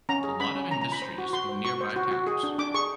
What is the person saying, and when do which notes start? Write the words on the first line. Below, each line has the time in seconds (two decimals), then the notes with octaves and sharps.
A lot of industries of nearby towns.
0.09 C#4 A#5
0.24 G#4
0.40 C#4 B5
0.56 C#4
0.71 C#4 A#5
0.81 A#5
0.87 F4
0.92 B5
1.02 C5
1.18 F#4
1.33 F#4 C6
1.49 C5
1.65 F#4 C#6
1.81 C5
1.96 F#4
2.11 F#4
2.27 G#4
2.43 D4
2.59 D4 D6
2.74 G#4 C#6